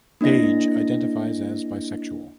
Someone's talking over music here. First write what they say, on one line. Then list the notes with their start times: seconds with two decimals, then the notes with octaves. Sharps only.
Paige identifies as bisexual.
0.21 A#3 D4 E4 D#5 A#6